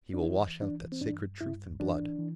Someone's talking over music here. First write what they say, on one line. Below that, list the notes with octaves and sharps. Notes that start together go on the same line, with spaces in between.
He will wash out that sacred truth in blood.
D4
E3 E4
E3 D4
C4
G2 D4
G2 E4
E3 D4
E3